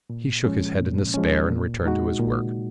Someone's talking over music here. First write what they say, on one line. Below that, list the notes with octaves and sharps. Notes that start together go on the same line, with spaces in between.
He shook his head in despair, and returned to his work.
A#2
F3 G#3 C#4
A#2
F3 G#3 C#4
A#2
G#3 D#4 F#4
A#2